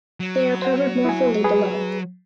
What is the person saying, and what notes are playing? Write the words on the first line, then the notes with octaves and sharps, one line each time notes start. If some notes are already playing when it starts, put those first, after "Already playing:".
They are covered more fully below.
F#3
C5 F#5
E4 G#5
G#4 B4